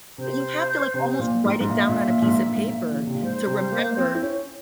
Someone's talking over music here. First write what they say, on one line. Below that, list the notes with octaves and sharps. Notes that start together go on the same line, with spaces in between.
But you have to, like, almost write it down on a piece of paper to remember
C3 C5
C3
A#2
G#2
G#2
A#2 E5
A#2
A#2
A#2
G#2
A#2
G#2
A#2
E3
C#3
C3
A#2
G#2 C5
C3
A#3
C4
E4
C#4